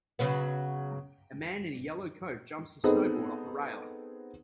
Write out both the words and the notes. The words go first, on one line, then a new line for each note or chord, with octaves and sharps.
A man in a yellow coat jumps his snowboard off a rail.
C#3 F#3 B3
B3 C4 D#4 G#4 A4 B4